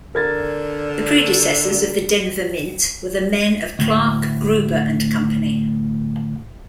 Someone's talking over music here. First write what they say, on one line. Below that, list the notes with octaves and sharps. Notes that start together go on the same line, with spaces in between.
The predecessors of the Denver Mint were the men of Clark, Gruber and Company.
D3 A#4 G#6 A6
D2 A2